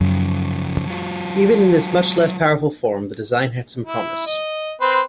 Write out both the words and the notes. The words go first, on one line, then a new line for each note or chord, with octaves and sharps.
Even in this much less powerful form the design had some promise.
F#2 C#3 F3
F#3 F4
E4
D#5
C4 B4 C5